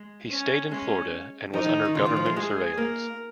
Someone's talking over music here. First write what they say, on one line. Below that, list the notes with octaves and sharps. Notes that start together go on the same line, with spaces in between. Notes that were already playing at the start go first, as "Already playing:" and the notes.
He stayed in Florida and was under government surveillance.
Already playing: G#3
C#4
G#3 C#4
F3 D#4
D#3
D#3
C#3 F4
D#3
F3
G#3
G#3 G#4
A#3 A#4